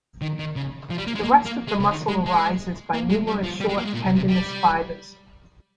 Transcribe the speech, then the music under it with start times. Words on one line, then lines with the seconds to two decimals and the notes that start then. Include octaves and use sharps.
The rest of the muscle arises by numerous short tendinous fibers.
0.22 D#3
0.39 D#3
0.56 C#3
0.90 F3
0.98 G3
1.07 A#3
1.15 G#3
1.23 A#3
1.46 A#3
1.68 G#3
1.80 C#3
1.91 D#3
2.08 G#3
2.26 G#3
2.93 A#3
3.09 G#3
3.27 G3
3.43 F3
3.60 G3
3.69 G#3
3.78 A#3
3.86 G#3
3.94 A#2
4.05 C3
4.16 C3
4.29 G3